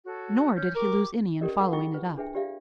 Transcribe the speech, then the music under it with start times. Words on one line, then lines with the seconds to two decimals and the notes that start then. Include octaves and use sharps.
Nor did he lose any in following it up.
0.04 F#4 A4 C#5
0.55 C#4 C#5 G6
0.75 G4 A#4 C#6 D6
1.41 C#4 G4 A4 A#4 D5 D#5
1.60 G#4 A#4 F#5 D6
1.73 E4 F4 D#5 G5 C#6
1.94 B4
2.17 D4 G#4 B4 E5 G5
2.34 F4 G4 D5 E5 F5